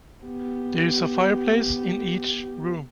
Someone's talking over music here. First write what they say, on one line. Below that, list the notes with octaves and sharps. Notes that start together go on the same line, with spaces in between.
There is a fireplace in each room.
B3 G4